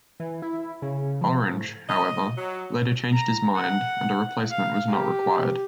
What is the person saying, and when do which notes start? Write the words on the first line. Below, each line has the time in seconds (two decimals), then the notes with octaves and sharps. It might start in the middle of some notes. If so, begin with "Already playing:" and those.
Orange, however, later changed his mind and a replacement was not required.
0.20 E3
0.42 E4
0.82 C#3
1.21 F3
1.52 A2
1.89 D#5
2.37 F#3
3.12 A#5
3.55 F#5
4.50 F5
4.89 G4